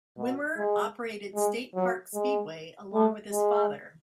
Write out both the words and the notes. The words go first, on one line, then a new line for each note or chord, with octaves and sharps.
Wimmer operated State Park Speedway along with his father.
B2
G#3
G#3
F#3
G#3
A3
G#3